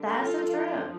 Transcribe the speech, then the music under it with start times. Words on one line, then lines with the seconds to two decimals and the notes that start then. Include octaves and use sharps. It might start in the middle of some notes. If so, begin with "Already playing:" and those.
That's a trip.
Already playing: D3 G3 D4
0.20 F4 A4
0.48 F3 D4 F4